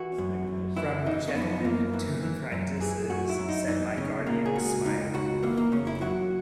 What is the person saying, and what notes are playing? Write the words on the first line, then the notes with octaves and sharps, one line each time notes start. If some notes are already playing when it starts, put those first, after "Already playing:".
"From gentlemen to apprentices," said my guardian, smiling.
Already playing: E3 F#4
F#2
F#2
E3 E4
E3 D#4
C#4
F#2 B3
F#2 A#3
E3
E3
F#2
E3 G#4
F#2 F#4
E4
F#2
D#4
E3 D#4
C#3 C#4
C#3 A#3
G#4
C#2 F#4
C#2 D#4
C#2 F#4
E3 A#3
A#3
C#3 C#4
E4
F#3 F#4